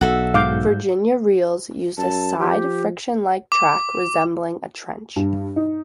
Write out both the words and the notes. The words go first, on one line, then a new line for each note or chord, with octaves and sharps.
Virginia Reels used a side friction-like track resembling a trench.
B1 F#4 A4 E5
G#2 F5 D6 G6
F#2 A5
F3 G4
D6
G2
D#4